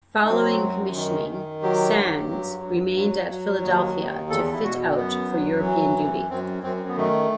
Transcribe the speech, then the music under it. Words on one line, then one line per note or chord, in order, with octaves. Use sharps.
Following commissioning, "Sands" remained at Philadelphia to fit out for European duty.
D#4
F#3 C4
F#2
D#3
D#3
F#3 G4
G2
F#3
G2
F#3
F#3
D#2
D#2
E2 A4
E4
B2 F#4
F#2 B3
F#3
E3
F#2
F#2 C4
F#2 C4
B3
D#3 A3